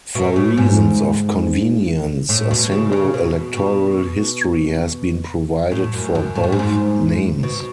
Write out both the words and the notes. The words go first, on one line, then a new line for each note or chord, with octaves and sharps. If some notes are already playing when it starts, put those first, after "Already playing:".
For reasons of convenience, a single electoral history has been provided for both names.
B2
A2
G#2
A2
B2
C#3
C#3
B2
B2
A2
F#2
F#2
A2
G#2
F#2
G#2
B2